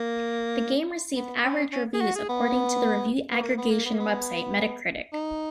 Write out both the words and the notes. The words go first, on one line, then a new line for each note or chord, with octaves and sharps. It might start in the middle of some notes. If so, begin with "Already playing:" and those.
The game received "average" reviews according to the review aggregation website Metacritic.
Already playing: A#3
B3
C#4
C#4
G#4
F#4
G#4
B3
B3
A#3
B3
A#3
B3
A#3
B3
D#4